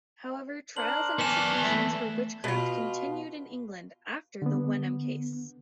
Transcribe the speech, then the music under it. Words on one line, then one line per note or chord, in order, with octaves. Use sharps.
However, trials and executions for witchcraft continued in England after the Wenham case.
D4 A#4 C5 F#7
B3 G#5 A5 C#6 D6 F6 E7
E3 A3 E5 B5
B2 F4
D3 B3